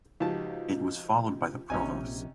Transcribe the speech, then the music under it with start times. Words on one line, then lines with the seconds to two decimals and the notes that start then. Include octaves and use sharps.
It was followed by the Provos.
0.20 C#2 F3 D#4 F#4 G4 A5
1.70 A#1 C3 C#4 D#4 G#5